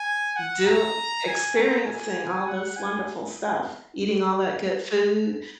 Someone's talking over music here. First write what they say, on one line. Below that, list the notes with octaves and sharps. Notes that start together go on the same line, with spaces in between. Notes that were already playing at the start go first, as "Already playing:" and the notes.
doi experiencing all this wonderful stuff, eating all that good food."
Already playing: G#5
F#5
A#5
G#5
A#5
G#5
F#5
G#5